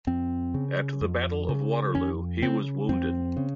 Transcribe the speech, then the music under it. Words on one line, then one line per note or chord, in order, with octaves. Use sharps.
At the Battle of Waterloo he was wounded.
F2 C4
C#3
F2
C#3
F2 C#4
C#3 C4
F2 C4
C#3